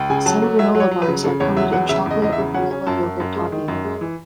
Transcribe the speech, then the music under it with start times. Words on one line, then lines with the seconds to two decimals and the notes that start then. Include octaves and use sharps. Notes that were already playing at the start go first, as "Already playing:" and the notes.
Some granola bars are coated in chocolate or vanilla yogurt topping.
Already playing: C#2
0.10 C#3 G#5
0.26 F#3 A5
0.42 A3
0.59 F#3 E5
0.75 F#3
0.80 C#5
0.91 F#3
1.02 B4
1.08 C#3
1.24 C#3 A4
1.40 E2 C#5
1.56 F#3 E5
1.73 E2 F#5
1.89 C#3 E5
2.06 E2 D#5
2.22 E2 D#5
2.32 E5
2.38 C#3
2.54 C#4 F#5
2.71 C#4
2.87 F#2 A5
3.03 F#2
3.20 F#2
3.36 G#3
3.52 D#3
3.68 F#2
3.85 G#3
4.01 E3